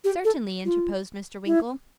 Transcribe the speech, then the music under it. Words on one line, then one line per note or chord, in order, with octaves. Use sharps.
'Certainly,' interposed Mr. Winkle.
G4
A4
F4
E4